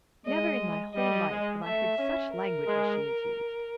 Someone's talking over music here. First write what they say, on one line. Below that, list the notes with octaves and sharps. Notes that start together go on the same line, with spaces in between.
Never in my whole life have I heard such language as she has used.
G#3 D#5
G3 D#5
G#3
A3 E5
C#4
A#4
G#3